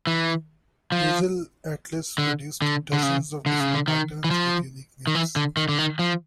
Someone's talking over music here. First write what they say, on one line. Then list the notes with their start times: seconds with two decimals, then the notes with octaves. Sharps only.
Hazel-Atlas produced dozens of different patterns, with unique names.
0.07 E3
0.92 F3
2.18 D3
2.62 D3
2.93 D3
3.03 C#3
3.46 D3
3.60 C#3
3.74 D3
3.88 D#3
4.24 E3
4.31 F3
5.07 D#3
5.15 E3
5.36 D3
5.57 D#3
5.69 D3
5.78 D#3
5.99 F3